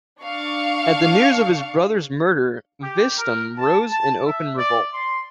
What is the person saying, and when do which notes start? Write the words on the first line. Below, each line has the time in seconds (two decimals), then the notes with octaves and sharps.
At the news of his brother's murder, Vistahm rose in open revolt.
0.22 D4 F5 C#6
2.83 G4
3.17 A#4
3.58 A5
3.91 A5
4.25 E5
4.57 D5
4.92 C6